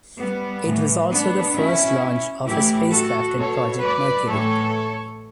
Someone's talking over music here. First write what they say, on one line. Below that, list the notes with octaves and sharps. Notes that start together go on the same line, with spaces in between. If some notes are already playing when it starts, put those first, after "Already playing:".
It was also the first launch of a spacecraft in Project Mercury.
G3 B3
A2 E3
B3 D4
B2 C#4 E4
A2 E3 E4 G4
F#4 A4
B2 A4 C#5
B4 D5
A2 E3 A4 C#5